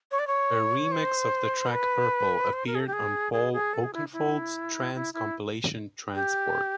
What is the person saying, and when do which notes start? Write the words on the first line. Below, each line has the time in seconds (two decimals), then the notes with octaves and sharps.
A remix of the track "Purple" appeared on Paul Oakenfold's trance compilation "Tranceport".
0.11 C#5
0.19 D5
0.27 C#5
0.92 C5
1.67 A#4
1.72 B4
2.53 C5
2.67 A#4
2.75 G#4
2.80 A4
2.87 G4
2.93 G#4
3.33 G#4
3.53 G#4
3.74 A4
3.84 G#4
3.93 E4
4.13 E4
4.95 E4
5.14 E4
6.15 G4